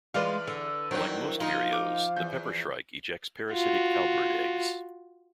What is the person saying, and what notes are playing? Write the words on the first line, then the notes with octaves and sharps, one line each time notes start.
Like most vireos, the peppershrike ejects parasitic cowbird eggs.
E2 G#3 F4 B4 D5 F6
D3
G2 D#3 E3 F#3 C4
F3 D#4 A#4 F5
D6
E2 G6
F4 F#4